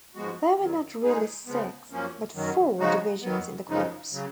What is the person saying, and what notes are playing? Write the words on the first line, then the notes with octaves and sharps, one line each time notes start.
There were not really six, but four, divisions in the corps.
G#2 F3 G#3 B3 F#4
F2 D#3 F#3
A#2 G#3 D#4 G#4
C#3 F3 G#3 B3
F#2 F3 A#3 C#4
F#2 D#3 F#3
C#3 F3 G#3 D#4 F#4
F2 D#3 F#3 B3
F#2 C#3 F3 G#3 D#4
C#3 F#3